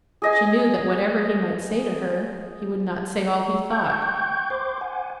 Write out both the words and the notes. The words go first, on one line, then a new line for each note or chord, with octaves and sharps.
She knew that whatever he might say to her, he would not say all he thought.
G#4 D#5 G#5
G5 C#6 G6
C5 C6 D6
F#5 G#5